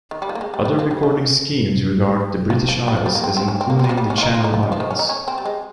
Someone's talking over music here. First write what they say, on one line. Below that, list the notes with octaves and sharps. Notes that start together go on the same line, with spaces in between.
Other recording schemes regard the "British Isles" as including the Channel Islands.
D#3
G3
F3
A#3
G#3
G3
G3
F3
G3
D#3
F3
F3
G3
F3
G3
A#3
C4
C4
C#4
C4
A#3
C4
G3
F3
G3
C#4
F4
D#4
F4
D#4
F3
D#3
F3
D#3
C#4
D#4
C#4
C4
G3
G#3